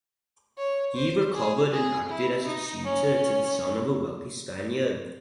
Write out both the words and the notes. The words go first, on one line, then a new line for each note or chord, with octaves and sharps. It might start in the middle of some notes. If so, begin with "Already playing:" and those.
He recovered and acted as a tutor to the son of a wealthy Spaniard.
C#5
C5
G#4
G#4
E4
D#4
C#4